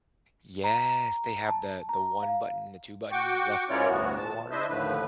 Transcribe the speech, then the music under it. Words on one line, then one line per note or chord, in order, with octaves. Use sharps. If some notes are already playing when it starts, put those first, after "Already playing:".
Yes. They have the the one button, the two button, less water, more water.
A#5
A5
A#5
F5
F#4 G5 C#6 D6
C#4 E4 F4 A#4 C#5 D5
D2 A2 E3 B3 F#4
A#2 A5
D4 E4 C5 D#5 E5
D#2 A2 D3 F3 A3 B4